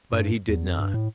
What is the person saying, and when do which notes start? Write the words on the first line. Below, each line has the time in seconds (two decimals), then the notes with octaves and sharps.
But he did not.
0.13 G2
0.48 E2
0.67 F2
0.80 G2
0.94 A2